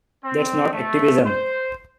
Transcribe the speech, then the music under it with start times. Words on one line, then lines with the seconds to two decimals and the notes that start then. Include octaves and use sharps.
That's not activism.
0.25 C4
0.73 A3
1.26 C5